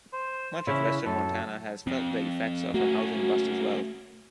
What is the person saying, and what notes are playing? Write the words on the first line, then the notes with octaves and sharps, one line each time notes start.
Much of western Montana has felt the effects of a housing bust as well.
C5
C#3 E3 C#4 E4
F#2 A4
F2 C4
A3 A#3 C#4 F#4